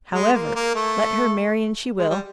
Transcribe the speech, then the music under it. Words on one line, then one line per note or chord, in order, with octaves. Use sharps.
However, let her marry an she will.
G#3
A#3
A#3
A3
G#3
G3